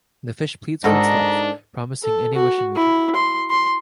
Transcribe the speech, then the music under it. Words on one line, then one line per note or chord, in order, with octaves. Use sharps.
The fish pleads for its life, promising any wish in return.
G#2 D#3 D4 F#4 A4 C5 D#5 A#5
A4
F#4
E4
C6
C6